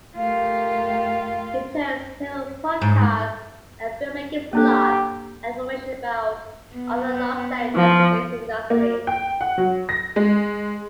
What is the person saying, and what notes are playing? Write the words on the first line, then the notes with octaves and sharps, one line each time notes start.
It hosts several podcasts, a filmmaking blog, and information about other Los Angeles-based industries.
A3 F4 G4 A#4 F5
G#2
A#3 D4 G4 A4
B3
F3
A#3
G5
F#5
F#3
A#6
G#3